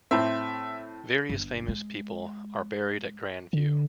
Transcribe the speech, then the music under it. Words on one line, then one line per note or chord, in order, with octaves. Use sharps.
Various famous people are buried at Grand View.
A2 C4 E5
G1
G#3
D3